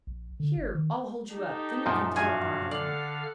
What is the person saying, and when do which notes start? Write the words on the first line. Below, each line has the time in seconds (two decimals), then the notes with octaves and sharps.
Here, I'll hold you up, then you can throw it farther.
0.07 A#1
0.40 D3
0.57 G1
0.75 D#3
1.33 D#4 G4 A4
1.86 F#2 A#2 F3
2.16 G2 C#4 F#4 E5 F5 G#5
2.71 D3 A4 D5 F5 F#5 F6